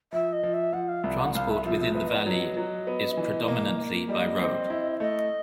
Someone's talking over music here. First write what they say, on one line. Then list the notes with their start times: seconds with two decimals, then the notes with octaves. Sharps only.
Transport within the valley is predominantly by road.
0.13 F3 E5
0.33 D#5
0.43 F3
0.53 E5
0.73 F3 F#5
0.88 F5
1.03 C2 E5
1.20 F#5
1.34 C2 F5
1.50 E5
1.65 F3 E5
1.80 E5
1.95 B3 E5
2.07 D#5
2.19 D5
2.26 F#3
2.31 D#5
2.57 F#3
2.87 B3
3.17 E3
3.48 A#3
3.79 A#3
4.08 G3 D#5
4.39 C4
4.70 E4
5.00 A3 D#5